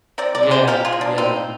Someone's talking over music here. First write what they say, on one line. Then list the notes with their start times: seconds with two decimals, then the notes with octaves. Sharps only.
Yeah, yeah.
0.18 C4 A#4 D5
0.35 A#4 D5
0.43 G#3
0.51 G#4 C5
0.68 F3 G4 A#4
0.85 F4 G#4
0.92 A#3
1.01 D4
1.18 C4 D#4